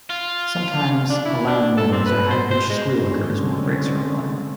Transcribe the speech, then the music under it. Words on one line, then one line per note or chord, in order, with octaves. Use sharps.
Sometimes a loud noise or high pitched squeal occurs when the brakes are applied.
F4
D4
E4
D4
A4
C4
B4
C5
C5
G#3
D3 G#3 C4 C#4